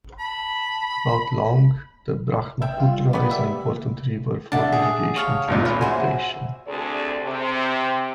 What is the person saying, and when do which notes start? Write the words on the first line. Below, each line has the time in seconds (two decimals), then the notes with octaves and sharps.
About long, the Brahmaputra is an important river for irrigation and transportation.
0.19 A5 B5
2.62 E5 G5
2.77 G3 F4
3.13 A#3 B3 G4 B4 D5
3.31 E5
4.52 D4 E5 F#5 A5
4.72 G#4
5.16 C#5 F5 A5
5.48 G#1 C#2 A#2
5.65 C#5 B5
5.81 F#4 C5 E5 G#5
6.67 D2 C3 D4 G#4 A4 D5
7.23 C3